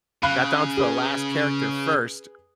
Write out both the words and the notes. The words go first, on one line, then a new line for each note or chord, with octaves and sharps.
got down to the last character first,
C#3 F5 B5 F#6
G#4 B4